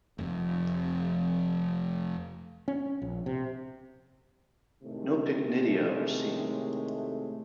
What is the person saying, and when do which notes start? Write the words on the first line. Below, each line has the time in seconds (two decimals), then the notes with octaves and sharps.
No pycnidia are seen.
0.18 F1 F2
2.68 C#4
3.02 A#1
3.26 C3
4.83 A2 C3 D#3 G#3 A3